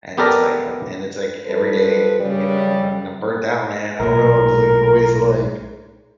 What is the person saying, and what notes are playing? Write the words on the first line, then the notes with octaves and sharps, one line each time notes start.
and it's, like, I and it's, like, every day, you know, and, I'm burnt out man, I don't know, I'm just looking for ways to, like,
B3 G4 A4 A#4 D5 A#5
F3 G3 A4 B4
C#3 G3
B1 A#2 A#4